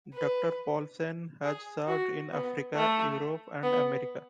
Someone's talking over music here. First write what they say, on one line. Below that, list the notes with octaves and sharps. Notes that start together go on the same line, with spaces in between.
Doctor Paulsen has served in Africa, Europe and America.
B4
G#4
F#4
B3
A3
B3